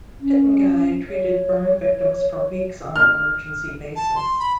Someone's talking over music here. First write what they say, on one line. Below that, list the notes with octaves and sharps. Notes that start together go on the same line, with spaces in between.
Pitanguy treated burn victims for weeks on an emergency basis.
C#4
C#5
F6
A5
C6
B5